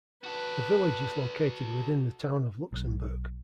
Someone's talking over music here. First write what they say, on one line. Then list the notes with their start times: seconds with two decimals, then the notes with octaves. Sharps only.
The village is located within the town of Luxemburg.
0.24 F#4 A4 B4
2.72 B1